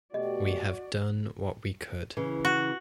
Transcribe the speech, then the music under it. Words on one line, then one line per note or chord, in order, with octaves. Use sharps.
We have done what we could.
B2 A3 F#4 G4 D5 D#5
C#3 E3
F#4